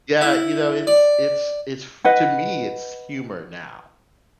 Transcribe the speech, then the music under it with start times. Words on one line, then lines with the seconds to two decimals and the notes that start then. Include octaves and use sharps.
Yeah, you know, it's it's it's to me, it's humor, now,
0.21 E4
0.87 D5
2.04 B4 D#5 F#5